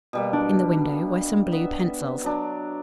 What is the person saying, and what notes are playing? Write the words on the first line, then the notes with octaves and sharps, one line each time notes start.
In the window were some blue pencils.
B2 G3 A#3
D4
B3 E5
F#3 D4